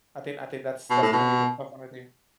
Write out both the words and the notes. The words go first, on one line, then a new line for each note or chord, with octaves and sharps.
I think I think that's that's gonna be the tough one with you.
B2
A2
B2